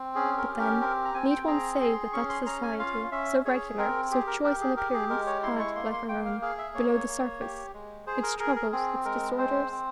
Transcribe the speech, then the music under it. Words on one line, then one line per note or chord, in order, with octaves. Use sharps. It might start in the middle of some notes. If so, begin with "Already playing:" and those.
But then, need one say that that society, so regular, so choice in appearance, had, like our own, below the surface, its troubles, its disorders?
Already playing: C4
C#4 G#4
A#4
G4
A#4
C4 A#4
A#5
C4 G#5
G5
G#4 A#5
G#4 C6
C#4 C#6
C6
C#4 A#5
G#5
F4 F5
C#4 E5
G#4 C#5
C4 A#4
G4 G#4
A#4
G4 A#4
G#4
G4 A#4
G#4
G#3 A#4
C#5
E4 C6
C#6
A#3 C6
C6
A#3 G5
F5
G#4 F5
E5
A#3 C#5
A#3
G4
G#3
G#4 C5
A#4
G#4 A#4
A#4
C4 G#4
G#3 A#4
C4 C5
C4